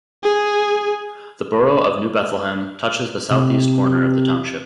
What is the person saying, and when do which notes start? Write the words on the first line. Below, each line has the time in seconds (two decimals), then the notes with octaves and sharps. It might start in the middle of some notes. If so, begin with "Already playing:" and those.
The borough of New Bethlehem touches the southeast corner of the township.
0.23 G#4
3.31 C3